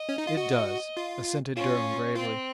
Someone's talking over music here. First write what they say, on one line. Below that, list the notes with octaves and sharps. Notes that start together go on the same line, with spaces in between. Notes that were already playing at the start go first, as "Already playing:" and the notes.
"It does," assented Durham gravely.
Already playing: D#5
C#4
D#4
F4
F#4
F4
C#4 F4
C4 F4